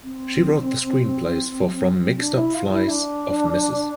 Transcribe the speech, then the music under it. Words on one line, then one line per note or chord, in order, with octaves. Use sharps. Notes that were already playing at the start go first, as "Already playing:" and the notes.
She wrote the screenplays for From the Mixed Up Files of Mrs.
C4
D4
E4
F4
E4
D4